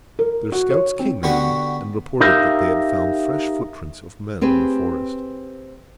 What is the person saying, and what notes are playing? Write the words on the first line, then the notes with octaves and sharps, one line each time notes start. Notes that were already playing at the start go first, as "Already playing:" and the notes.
Their scouts came in, and reported that they had found fresh footprints of men in the forest.
A#4
F#4
C#5
C4
D3 B3 F#4 G4 C#6
D#4 G4 A#4 B4 E5 F5
C4 G4 G#4 B4